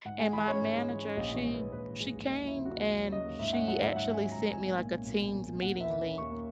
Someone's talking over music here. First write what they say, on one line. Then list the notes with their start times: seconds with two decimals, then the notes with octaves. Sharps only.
and my manager, she she came, and she actually sent me, like, a Teams meeting link
0.05 G#2 F#5
0.19 G#3 G#5
0.33 E3 B5
0.48 C#4 C#5
0.61 G#2
0.75 G#3
0.89 E3
1.03 C#4
1.17 A#1 D#5
1.32 E3 C#5
1.45 G#2
1.54 A#1 B4
1.73 A#1 B4
1.87 E3
2.00 G#2 G#4
2.15 A#1
2.28 D#2 D#4
2.42 F#3 E4
2.56 C#3
2.65 F#4
2.71 D#2
2.83 D#2
2.98 F#3
3.11 C#3 D#5
3.25 D#2
3.39 G#2 E5
3.53 C#4 F#5
3.67 F#3 F#5
3.81 G#2
3.88 E5
3.95 G#2 F#5
4.10 C#4 G#5
4.23 F#3
4.32 G#2 A#5
4.51 B1 G#5
4.65 A#3
4.78 A#2
4.93 C#4
5.06 B1
5.21 A#3
5.35 A#2
5.48 C#4
5.62 D#2 F#5
5.75 A#3
5.80 E5
5.90 D#3
6.04 C#4
6.18 D#2 C#6
6.32 A#3